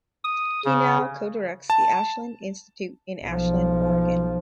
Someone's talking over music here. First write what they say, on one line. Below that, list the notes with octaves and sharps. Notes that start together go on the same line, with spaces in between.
He now co-directs the Ashland Institute in Ashland, Oregon.
D#6
C#3
A5
B1 F3